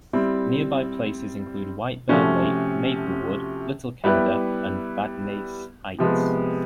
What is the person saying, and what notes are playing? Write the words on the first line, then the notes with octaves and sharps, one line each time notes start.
Nearby places include White Bear Lake, Maplewood, Little Canada, and Vadnais Heights.
G3 C4 E4
C3 F3 A3 C#4 F#4
G3 B3 E4 G4 B4
C3 F3 G#3 B3